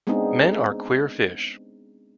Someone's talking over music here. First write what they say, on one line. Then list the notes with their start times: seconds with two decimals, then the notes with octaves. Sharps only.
Men are queer fish.
0.07 G#3 B3 C4 D4 D#4 G#4